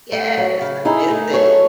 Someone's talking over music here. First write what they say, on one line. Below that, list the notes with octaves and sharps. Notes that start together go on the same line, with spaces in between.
Yes, I miss it.
A3
F#3
C#3
D#4 E4 G#4
A3
F#3 A4 C#5